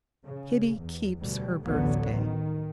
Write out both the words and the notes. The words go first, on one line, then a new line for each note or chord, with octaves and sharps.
Kitty Keeps Her Birthday.
C#3
E2
D2 B2 G3
A1 D2 A2 D3 F#3 B3
D#3